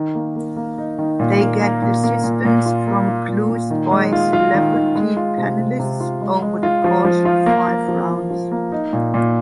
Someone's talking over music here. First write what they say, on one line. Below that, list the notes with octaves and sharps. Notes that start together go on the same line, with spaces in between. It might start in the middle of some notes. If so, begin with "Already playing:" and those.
They get assistance from clues by "celebrity panelists" over the course of five rounds.
Already playing: D#3
A#3
A#3
A#3
D#4
D#3
A#2
A#3
A#3
A#2
A#3
A#2
A#2
F4
A#3
F4
A#2
A#2
D#3
G#3
F4
F4
D#3
D#3
G#3
F4
C3
C3
C3
F4
G#3
G#3
F4
F3
F3
F4
A#3
F3
F3
A#3
F3
A#3
D#4
A#2
A#2